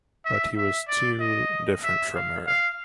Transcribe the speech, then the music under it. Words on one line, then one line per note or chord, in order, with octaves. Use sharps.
But he was too different from her.
E5
E5
D5
D#5
E5
F5
F5